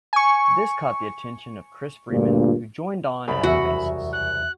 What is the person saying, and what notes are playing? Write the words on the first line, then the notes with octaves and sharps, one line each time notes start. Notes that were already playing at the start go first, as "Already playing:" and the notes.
This caught the attention of Chris Freeman, who joined on as a bassist.
G#5 C#6
D2 G2 A#2
C2 F#2 C#3 B5
E2 F#4 E5
F#6